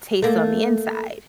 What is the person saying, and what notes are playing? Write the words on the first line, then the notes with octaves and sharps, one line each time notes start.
taste on the inside."
A3 A#3